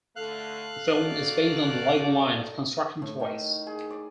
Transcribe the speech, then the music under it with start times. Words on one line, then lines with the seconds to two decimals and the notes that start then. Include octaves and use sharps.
The film is based on the Lego line of construction toys.
0.16 D3 A3 A4 F5 F#6
0.91 D#3 F#4 D5
3.02 A2
3.20 D#3
3.66 G#4
3.90 D5